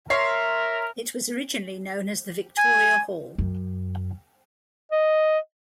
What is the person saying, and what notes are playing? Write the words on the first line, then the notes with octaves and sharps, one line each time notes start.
It was originally known as the Victoria Hall.
A#4 C#5 E5 C6
G#5
F#2
D#5